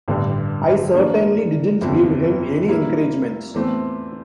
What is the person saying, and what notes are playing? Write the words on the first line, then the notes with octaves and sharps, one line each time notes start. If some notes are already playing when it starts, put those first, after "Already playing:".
I certainly didn't give him any encouragement.
A1 G2 D3 G3
E3 A#3 D4
G1 F2 C3
A#2 G3 A#3 E4
E2 E3 A3 C4